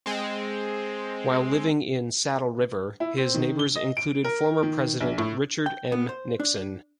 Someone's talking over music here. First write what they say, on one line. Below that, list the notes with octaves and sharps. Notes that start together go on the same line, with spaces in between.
While living in Saddle River, his neighbors included former President Richard M. Nixon.
G#3 C4
E4
C4
D#3
G7
D#5
D7
A#4
D#3
A#1
A2
G5
B3
C5
D4